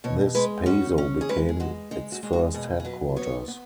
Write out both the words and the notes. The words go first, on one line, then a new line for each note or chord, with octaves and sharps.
This pazo became its first headquarters.
B2 C#5
G#3 B4
C#4 F#4
C#4
G#4
G#3 B4
G#4
G#3 F#4
G#3 D#4
F#4
G#3
F#4
B2 G#4
G#4
F#3 B4
B3 C#5
B3